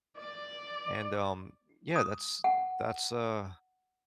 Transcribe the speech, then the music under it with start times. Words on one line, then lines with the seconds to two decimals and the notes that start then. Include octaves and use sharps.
And, um, yeah, that's that's, uh
0.17 D5
1.96 D#6
2.44 F#5